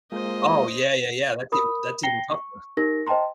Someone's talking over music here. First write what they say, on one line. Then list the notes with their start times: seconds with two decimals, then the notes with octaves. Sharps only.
Oh, yeah, yeah, yeah, that's even that's even tougher.
0.12 G#3 A#3 F4 C5 D#5
1.52 A#4 B5 D#6
2.03 G5 A#5 A#6 C7 C#7 G7
2.31 C#6
2.77 D#4 G4 A#4 A#6
3.07 C5 D#5 G5 A5 A#5 C6